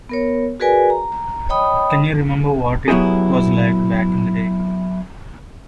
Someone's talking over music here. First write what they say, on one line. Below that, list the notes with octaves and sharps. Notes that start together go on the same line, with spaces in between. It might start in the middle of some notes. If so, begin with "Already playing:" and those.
Can you remember what it was like back in the day?
B3 A#4 C#5
F#4 G#4 A#4 B4 D5 G#5
A#5
C#5 D#5 G5 B5 D#6
F#3 B3 E4 G4 G#4